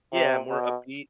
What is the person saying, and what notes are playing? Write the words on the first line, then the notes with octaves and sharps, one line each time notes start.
Yeah, more upbeat.
C3
B2